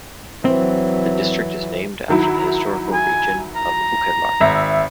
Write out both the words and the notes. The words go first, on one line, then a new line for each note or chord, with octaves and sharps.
The district is named after the historical region of Uckermark.
E3 F#3 C4
D#3 F#3 E4
G#5
A#5
G#1 E5